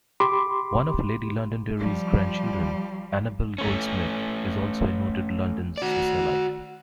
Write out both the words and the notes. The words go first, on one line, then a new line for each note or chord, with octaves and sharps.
One of Lady Londonderry's grandchildren, Annabel Goldsmith, is also a noted London socialite.
G4 B5 C6 D6
F3 G3
A3 C#4
F#4 D5